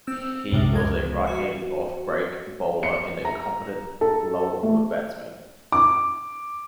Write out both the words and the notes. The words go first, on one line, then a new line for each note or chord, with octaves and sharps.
He was a right-handed offbreak bowler and a competent lower-order batsman.
C4 E6
B1 F#2 A2 C3 G3 G#3
C#2 G#3 G#6
F#4
C#7
A#5
A4
A3
D6